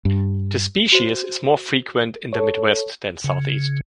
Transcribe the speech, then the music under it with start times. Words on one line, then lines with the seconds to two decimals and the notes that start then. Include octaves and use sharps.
The species is more frequent in the midwest than southeast.
0.05 G2
0.92 F#4 C5
2.33 A4 C#5
3.24 C#3